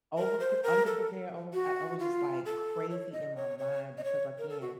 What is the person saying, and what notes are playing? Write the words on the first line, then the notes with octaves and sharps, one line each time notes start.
overpr underprepared overpr uh, I was just, like, crazy in my mind, because again,
A#4
C5
A#4
A4
F#4
F4
A4
C#5
D#5
C#5
C#5
D#5
C#5
A#4
A4
F#4